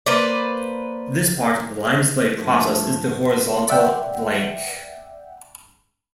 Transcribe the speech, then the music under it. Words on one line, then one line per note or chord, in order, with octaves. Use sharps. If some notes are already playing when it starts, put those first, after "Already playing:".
This part of the line display process is the Horizontal Blank.
A#3 B4 C5 D5
G2 F3 A3
D5 E5 F#5 G5